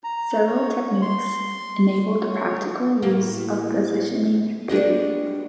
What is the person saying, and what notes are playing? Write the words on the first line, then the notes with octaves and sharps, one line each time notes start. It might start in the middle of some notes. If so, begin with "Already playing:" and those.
Several techniques enabled the practical use of positioning theory.
A#5
C#5
C6
C#5
A2 E3 A3 A#3
F#3 G3 B3 D4 G#4 D#5